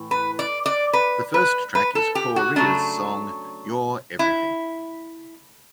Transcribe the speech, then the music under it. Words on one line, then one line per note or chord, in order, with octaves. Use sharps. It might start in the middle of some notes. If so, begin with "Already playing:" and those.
The first track is Corea's song, "You're Everything".
Already playing: A2 E3
B4
D5
D5
B4
B4
B4
A4
G4
F#4
C#3 F#3 A3 D4
E4